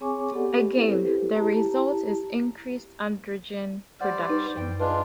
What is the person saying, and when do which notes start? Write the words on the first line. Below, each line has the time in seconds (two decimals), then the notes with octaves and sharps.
Again, the result is increased androgen production.
0.01 C4 G#4 C#5 G#5 C#6 D6
0.31 B3 G4 A4 D5 F#5
0.75 C4 E4 G4 A4 B4 C5
1.35 E4 G4 A5 A#5
4.01 G3 C5 D5 F#5
4.30 D#4 B4
4.57 F#2 G5
4.80 G#3 D4 F4 B4